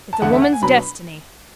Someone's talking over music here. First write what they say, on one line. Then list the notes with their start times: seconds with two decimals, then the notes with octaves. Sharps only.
It's a woman's destiny.
0.13 A5
0.22 E2 D3 A3 F#5
0.32 E5
0.42 F#5
0.53 G#5
0.62 B2 F#3 B3 D4 B5